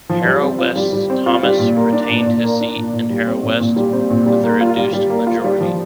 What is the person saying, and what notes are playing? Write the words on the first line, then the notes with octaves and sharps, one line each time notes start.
Harrow West's Thomas retained his seat in Harrow West with a reduced majority.
F3
G3
C4
F4
G3
G3
C4
F4
G3
A#2
A#3
D4
A#2
A#2
A#3
D4
A#2
A#2
G3
C4
A#2
A#2
G3
C4
A#2
G3
A#3
F4
G3
G3
A#3
F4
G3
F3